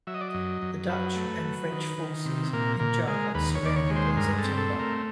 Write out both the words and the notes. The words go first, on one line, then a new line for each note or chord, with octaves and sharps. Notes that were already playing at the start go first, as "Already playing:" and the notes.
The Dutch and French forces in Java surrendered in September.
F#3 E5
D#5
D5
D#5
F#2
F#2
F#3 B4
A3
F#3
D#3
D#3
C3
A#2 A#4
A#2 A#4
G#3 A#4
D#2 B4
C#5
D#2 D5
C#5
G#3
C5
G2 A#4
A4
C4
A4
A3
A#4